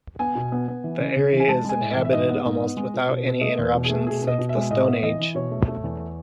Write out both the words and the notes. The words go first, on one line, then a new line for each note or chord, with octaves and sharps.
The area is inhabited almost without any interruptions since the stone age.
B3 G#5
B2
B3
B3
E3
C#3
C#3
E3
G#5
G#3 A5
G#3 G#5
A2
E5
E3
E5
G#2 D#5
B3
G#2
B3
G#3
B2
B2
B2
A3 D#5
E2 B4
B2
A3 G#4
B2 G#4
B2
D#5
B2
E5
G#3
A2 D#5
B3
E3 D#5
E3
B2 C#5
A3
A3
E2